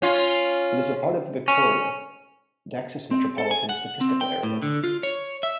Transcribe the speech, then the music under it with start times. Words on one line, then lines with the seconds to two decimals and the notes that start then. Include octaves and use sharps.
It is a part of the Victoria, Texas Metropolitan Statistical Area.
0.02 C#4 F4
1.48 C#4
3.11 C4
3.38 A4
3.51 G#5
3.69 F#5
4.01 C4
4.21 G5
4.43 A2
4.62 D3
4.84 F4
5.03 C#5
5.43 E5